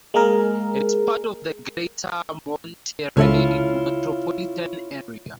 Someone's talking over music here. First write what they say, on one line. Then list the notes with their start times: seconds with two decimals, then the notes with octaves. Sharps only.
It is part of the Greater Monterrey Metropolitan area.
0.14 G#3 A#3 G#4 A#4
3.17 C#2 C#4 E4 F4 A4 E5